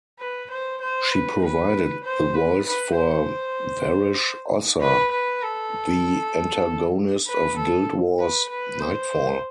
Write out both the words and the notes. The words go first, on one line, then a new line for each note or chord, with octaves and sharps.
She provided the voice for Varesh Ossa, the antagonist of Guild Wars' "Nightfall".
B4
C5
C5
B4
B4
C5
B4
B4
C5
B4
B4
A4
B4
A4
B4
B4
C5